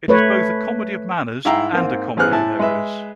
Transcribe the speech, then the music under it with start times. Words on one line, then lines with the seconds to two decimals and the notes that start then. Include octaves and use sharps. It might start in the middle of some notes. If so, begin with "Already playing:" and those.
It is both a comedy of manners and a comedy of errors.
0.08 A3 B4 C#5
1.45 G#2 E4 F5 G5 A#5 E6
1.72 G#2 A#3 C4
2.17 A1 B3 G#4 C5 F6 F#6
2.31 A2 E4 G#5 A5
2.59 G#3 B4 E5